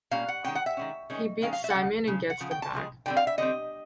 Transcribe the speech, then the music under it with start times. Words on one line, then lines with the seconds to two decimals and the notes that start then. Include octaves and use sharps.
He beats Simon and gets them back.
0.11 A#2 G3 A#3 C#4 F5
0.28 F#5
0.44 D#3 G#3 C#4 G5
0.55 F#5
0.66 E5
0.77 D#3 G#3 C#4
1.10 D#3 G#3 C#4
1.42 D#3 G#3 C#4 F5
1.53 F5
1.64 E5
1.70 F#5
1.75 C#3 F3
2.07 C#3 F3
2.30 F#5
2.40 C#3 F3
2.51 G5
2.62 A5
2.73 C#3 F3 G#3
3.06 D3 G3 C4 G5
3.17 F5
3.27 E5
3.38 D3 G3 C4 D#5